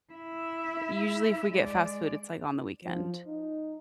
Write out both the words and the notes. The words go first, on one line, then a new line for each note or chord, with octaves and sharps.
usually, if we get fast food, it's like on the weekend.
E4 E5
G#3 D5
F3
D#4